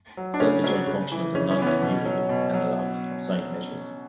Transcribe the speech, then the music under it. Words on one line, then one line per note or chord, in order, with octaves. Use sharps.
Self-adjoint functionals are noncommutative analogues of signed measures.
F#3
D4
C#3 C#4
F#3 C#4
C#3
E3
C#3 C#4
C#4
E3 B3
C#4
B2
F#3
B2
F#3